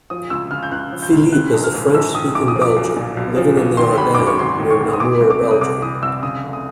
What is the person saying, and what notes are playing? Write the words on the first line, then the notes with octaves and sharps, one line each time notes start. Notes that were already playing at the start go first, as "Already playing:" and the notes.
Philippe is a French-speaking Belgian, living in the Ardennes near Namur, Belgium.
F3 D#6
C#2 E6
C#3 F6
G6
C#2 F#6
F3
G6
C#2
D#3 F#6
A#1
F6
G#2
A#1 E6
D#3 D#6
A#1 D6
D#6
F3
D6
B1
A#2
B1
F3
B1
D#3 C6
G#1 B5
F#2 D6
C#6
G#1 C6
D#3
C#6
G#1
D#6
E3 D6
C2
D6
C3
D#6
C2 D6
E3 D#6
C2 E6
C#3 D#6
F1
D#6